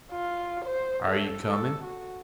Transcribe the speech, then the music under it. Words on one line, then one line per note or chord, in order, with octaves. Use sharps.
"Are you coming?"
F4
C5
A4
A4
F#4